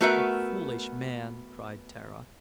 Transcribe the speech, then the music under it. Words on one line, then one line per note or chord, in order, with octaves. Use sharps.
"Oh, foolish man!" cried Tara.
A3 B3 F#4 A#4 B4 E5